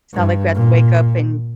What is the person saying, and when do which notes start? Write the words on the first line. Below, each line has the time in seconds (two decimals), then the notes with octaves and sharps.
It's not like we have to wake up and,
0.14 G2
0.55 A#2